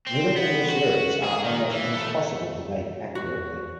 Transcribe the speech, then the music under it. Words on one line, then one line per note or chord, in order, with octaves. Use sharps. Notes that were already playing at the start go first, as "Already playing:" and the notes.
Middle English Lyrics are almost impossible to date accurately.
C4
B3
F#4
G#4
D#3
E3
A3
F#4